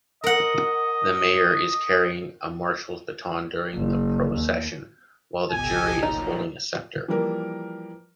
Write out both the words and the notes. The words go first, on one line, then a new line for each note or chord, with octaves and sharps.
The mayor is carrying a Marshall's baton during the procession while the jury is holding a scepter.
A#4 D#5 F#5
F#1
D#2
G#1 C#2 B2 G4 A4 D#5 G#5
A#2 F3 F#3 D#4
E3 F3 G3 A#3 A#4